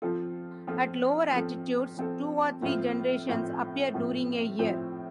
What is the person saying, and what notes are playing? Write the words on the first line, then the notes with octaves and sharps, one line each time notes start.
At lower altitudes, two or three generations appear during a year.
F3 C4 F4 A4
F3 C4 F4 A4
F3 C4 F4 A4
F3 C4 F4 A4
A2 F3 C4 F4
A2 F3 C4 F4
A2 F3 C4 F4
A2 F3 C4 F4